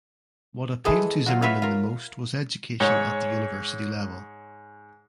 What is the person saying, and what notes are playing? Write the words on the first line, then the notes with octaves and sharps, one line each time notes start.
What appealed to Zimmerman the most was education at the university level.
E3 G#3 G#4 A4
F#3 F4 F#4
F4 F#4 B4 C#5 E5
F4 A#4
G#2 C#5